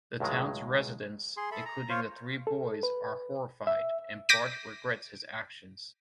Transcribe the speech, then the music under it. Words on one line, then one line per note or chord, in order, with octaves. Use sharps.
The town's residents, including the three boys, are horrified and Bart regrets his actions.
C#2 A2 D#3 F#3 G#3
G#4 C6
A4 E5 B5
A#5
F4 C5 C#5
A4
B4
E5
D6 G6 A#6 B6 D7 D#7